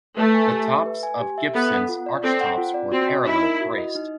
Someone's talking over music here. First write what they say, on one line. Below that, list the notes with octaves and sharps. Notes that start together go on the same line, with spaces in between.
The tops of Gibson's archtops were parallel braced.
A3 B4
G#5
G4
E5
B4
G#5
G4
E5
B3 A4
F#5
F4
D5
C4 A4
F#5
F4
D5
C4 F#4
D#5
D#4 E4
A#4
F#4
D#5
D#4